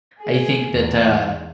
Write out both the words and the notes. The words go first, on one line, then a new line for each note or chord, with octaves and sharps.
I think that, uh,
G#4
E2